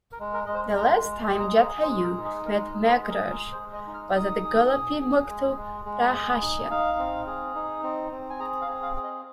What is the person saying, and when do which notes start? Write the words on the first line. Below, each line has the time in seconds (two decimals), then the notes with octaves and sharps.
The last time Jatayu met Meghraj was at Golapi Mukto Rahashya.
0.12 A#4
0.20 G#3
0.34 A#4
0.46 G#3 D#5
0.54 C5
0.76 G#3 A#5
0.98 C6
1.04 G#3
1.19 C6
1.33 G#4
1.40 A#5
1.61 G#4 A#5
1.82 C5
1.89 G#3
2.03 A#4
2.17 D#4
2.25 G#4
2.46 G#3 A#4
2.67 D#5
2.74 G#4
2.88 C5
3.02 G#4
3.09 A#4
3.30 G#3 A#4
3.52 C5
3.59 G#3
3.73 D#5
3.87 D#4
3.94 F6
4.15 D#4 D#6
4.44 G#4
4.72 G#4
5.00 G#4
5.29 G#3
5.57 G#3
5.85 G#3
6.14 G#4
6.42 D#4
6.70 D#4 F5
6.99 C4
7.27 G#4
7.55 D#4
7.83 C4
8.12 C4
8.30 G#5
8.40 G#4 A#5
8.61 F5
8.68 C4
8.82 F5
8.96 G#4
9.03 D#5